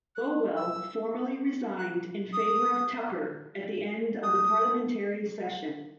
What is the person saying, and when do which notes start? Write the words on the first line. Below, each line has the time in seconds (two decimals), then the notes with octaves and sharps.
Bowell formally resigned in favour of Tupper at the end of the parliamentary session.
0.15 F#6
0.56 E6
1.78 F#6
2.33 D#6
4.23 D#6